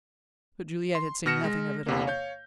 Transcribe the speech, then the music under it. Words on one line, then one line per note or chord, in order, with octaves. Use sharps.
But Juliette had seen nothing of it all.
C6
B2 F6 A#6 C#7 E7
G#3
E2 C3 A#3
C#5 F5 G6